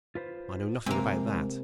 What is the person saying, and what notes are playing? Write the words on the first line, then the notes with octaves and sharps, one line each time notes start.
"I know nothing about that."
F4 B4 C5
C3 G#3 A#3 G5 G#5